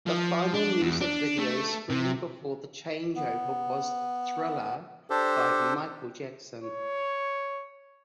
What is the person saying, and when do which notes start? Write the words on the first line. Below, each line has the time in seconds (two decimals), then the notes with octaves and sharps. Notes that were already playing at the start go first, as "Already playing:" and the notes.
The final music video screened before the changeover was "Thriller" by Michael Jackson.
0.07 F3
0.53 D4
0.82 E2
1.01 D4
1.38 A3
1.90 C3
3.16 B3
5.10 D4 G4 A4 C5
6.64 C#5